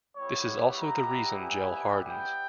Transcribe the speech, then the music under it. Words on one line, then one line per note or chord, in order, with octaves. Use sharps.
This is also the reason gel hardens.
G3 B3 E4 G4 C#5
A#5
G#5
G5